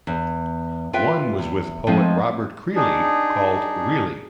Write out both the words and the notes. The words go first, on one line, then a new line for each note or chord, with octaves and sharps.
One was with poet Robert Creeley called "Really!".
E2
F4 B4 E5 G5
E2
F3 G#3 A3 C4 D#4
D4 D#4 G#4